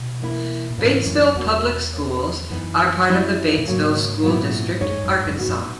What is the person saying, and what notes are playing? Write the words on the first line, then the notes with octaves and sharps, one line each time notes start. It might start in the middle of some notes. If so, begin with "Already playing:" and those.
Batesville Public Schools are part of the Batesville School District, Arkansas.
Already playing: B2
E3 A#3 E4
A#2
G#2 C#3 E3 A#3 C#4
F#2
E2 B2 A#3 C#4 F#4
B2 A#3 C#4
F#2 E3 B3 D#4
F#3 C#4 E4
A#2
G#2 C#3 F#3 A#3
A#2 F#3 B3 E4
F#2 G#3 D#4 G#4 C#5
G#2
F#2
G#2
F#2
G#2 B3 D#4 F#4
F#2